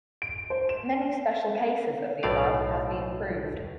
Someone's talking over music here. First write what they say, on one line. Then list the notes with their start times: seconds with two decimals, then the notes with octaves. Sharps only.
Many special cases of the above have been proved.
0.22 D7
0.50 C5
0.69 E7
2.23 B1 A2 A3 D5 F5